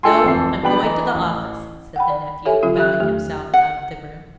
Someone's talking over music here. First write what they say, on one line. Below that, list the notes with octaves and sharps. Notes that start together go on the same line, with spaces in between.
"No; I'm going to the office," said the nephew, bowing himself out of the room.
D4 F4 A4 G5 G#5 C6
G#1 F2 E3 C4 A5 C7
F#3 B3 D4 G5 B5 F#7
E3 D#5 A#5
A1
F#5 G5 B5
D5
G4 A4 C#5 E5 G#5
D3 F#3 C#4 F4
F#3 G4 E5 F#6
E2 D#3 A3 G4
F#5